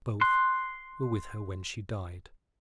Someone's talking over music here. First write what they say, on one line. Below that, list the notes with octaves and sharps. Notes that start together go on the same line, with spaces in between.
Both were with her when she died.
C6 F#6